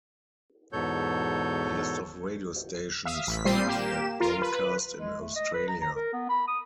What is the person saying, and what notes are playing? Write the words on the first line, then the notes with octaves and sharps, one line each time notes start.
A list of radio stations that broadcast in Australia.
E2 G#2 B2 A4 C#5 G6
E5 F5 D#6
A1 B6
A#2 G3 C4 C5 C7 D#7
A#3 G4 E7
F4 A#4
B4
G#3
A3
D#5
B4
A#5
A#5
A#4
B3
B5
D#6